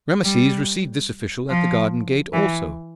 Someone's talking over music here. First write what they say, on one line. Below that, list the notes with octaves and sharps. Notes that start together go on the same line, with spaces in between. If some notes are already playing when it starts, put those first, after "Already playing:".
Rameses received this official at the garden gate also.
G3
F3
E3